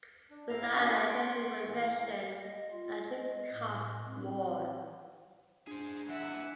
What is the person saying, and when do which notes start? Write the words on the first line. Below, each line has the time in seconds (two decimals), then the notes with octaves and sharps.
Without adjusting for inflation, it actually cost "more".
0.30 D4
0.49 G#2 E4 A#4 F5 A#5
0.75 A3 B3 C#4 D4 E4 F#4
0.90 G4 G#5 B5 C6
1.07 F#5 G5 C6 C#6
1.66 A2 E3
2.41 D#5
2.71 F4
3.07 D#5
3.52 A2
4.06 C4
5.67 D4 G#4 C5
6.09 E3 E5 F#5